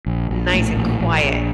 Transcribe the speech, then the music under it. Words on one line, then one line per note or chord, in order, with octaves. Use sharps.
nice and quiet
A#1
A#1
A2
A#1
A#1
A#1